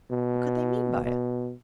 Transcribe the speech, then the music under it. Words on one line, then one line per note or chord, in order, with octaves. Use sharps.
What could they mean by it?
B2
B2